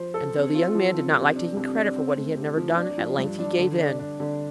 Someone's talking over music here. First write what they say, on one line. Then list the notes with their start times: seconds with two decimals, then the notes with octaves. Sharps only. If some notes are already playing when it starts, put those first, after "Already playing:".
And though the young man did not like taking credit for what he had never done, at length he gave in.
Already playing: F3 C5
0.14 A4
0.35 C4
0.55 F4
0.75 F3
0.94 C4
1.15 C3
1.36 D4
1.56 C2
1.75 D4
1.96 C4
2.17 A3
2.36 C3
2.57 F3
2.77 D4
2.98 F3
3.18 G2
3.39 D4
3.58 D3
3.78 D4
3.99 D4
4.20 D3